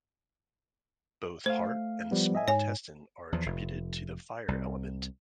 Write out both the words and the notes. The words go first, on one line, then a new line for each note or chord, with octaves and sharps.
Both Heart and Small Intestine are attributed to the Fire element.
A3 C5 F5
F3 G3 B3
D#5 E5 G#5
G#2 C#5 G#5
E2 F3
F1
C2